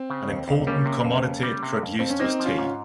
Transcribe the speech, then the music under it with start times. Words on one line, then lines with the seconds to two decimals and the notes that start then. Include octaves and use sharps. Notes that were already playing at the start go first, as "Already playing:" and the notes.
An important commodity it produced was tea.
Already playing: C4
0.10 C#3
0.28 D#2
0.48 D#2
0.67 G3 A#3 C#4
0.86 C3
1.05 F2
1.24 F2
1.43 G3
1.63 C3
1.82 F2
1.99 F2 C4
2.10 C#4
2.19 A#3 C4 D#4
2.40 F3
2.45 C#4 F4
2.59 G#2